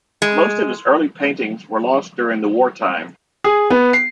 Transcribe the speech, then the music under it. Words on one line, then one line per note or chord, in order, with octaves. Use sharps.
Most of his early paintings were lost during the war time.
G#3
G#4
B3
C7